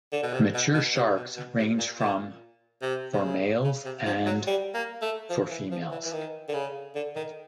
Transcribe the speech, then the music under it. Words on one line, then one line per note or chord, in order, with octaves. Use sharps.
Mature sharks range from for males and for females.
D3
B2
C3
B2
B2
C3
B2
B2
C3
A#2
A#2
C3
C3
C#3
C#3
C3
F3
F#3
G3
A#3
A3
F3
E3
F3
E3
E3
D#3
D3
C#3
D3
D#3